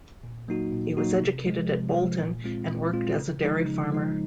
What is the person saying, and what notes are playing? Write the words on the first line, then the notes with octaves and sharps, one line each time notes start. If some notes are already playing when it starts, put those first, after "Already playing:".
He was educated at Bolton and worked as a dairy farmer.
A#2
F#3 A#3 D#4 F#4
A#2
F#3 A#3 D#4 F#4
C3
F3 G#3
C3
F3 G#3
A#2
G#3 C4 F4
A#2
G#3 C4 F4
C#3
F3 G#3 D#4
C#3
F3 G#3 D#4